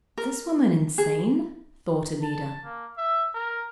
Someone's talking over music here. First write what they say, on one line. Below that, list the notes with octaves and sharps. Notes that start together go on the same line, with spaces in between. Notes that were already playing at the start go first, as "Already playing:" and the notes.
"Is this woman insane?" thought Alida.
A#4
G#4
A5
A#3
E5
A#4